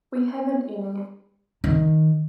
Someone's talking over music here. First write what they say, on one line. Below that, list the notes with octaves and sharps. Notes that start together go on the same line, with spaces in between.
We haven’t any.
D#3